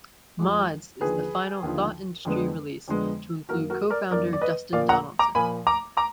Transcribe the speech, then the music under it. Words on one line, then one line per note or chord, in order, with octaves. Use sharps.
"Mods" is the final Thought Industry release to include co-founder Dustin Donaldson.
F2 F3 G#3
D#2 D3 F3 G#4 B4
D#2 D3 F3
F2 D3 G#3 B3
F2 D3 G#3 B3
F#2 D#3 A#3 F#4 A#4
F#4 A#4
A#4 D5
F#2 D#3 A#3 A#4 D5
D5
B4 D#5
A#2 F3 A#3 D5 F5
F#5 A#5
A#5 D6
A#2 F3 A#3 G#5 B5
A#5 D6
A#5 D6